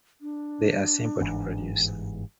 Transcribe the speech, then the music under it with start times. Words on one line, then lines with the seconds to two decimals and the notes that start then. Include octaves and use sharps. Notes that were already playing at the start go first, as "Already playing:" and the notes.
They are simple to produce.
0.21 D4
1.21 G1 G#2 E3